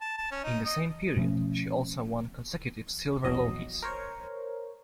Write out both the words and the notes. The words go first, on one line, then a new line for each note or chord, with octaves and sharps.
In the same period, she also won consecutive Silver Logies.
A5
A5
C#4
D#4
D#5
B2 F3 A3 C#4
A#1 E2 F#3 D#5
A#4 C5 C#5